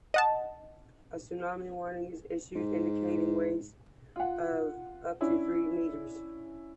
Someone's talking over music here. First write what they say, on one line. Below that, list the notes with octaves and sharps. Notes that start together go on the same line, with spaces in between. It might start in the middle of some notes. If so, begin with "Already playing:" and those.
A tsunami warning was issued indicating waves of up to three meters.
D#5 F#5 A5
G#2
F4 F#5
C#4 D4 E4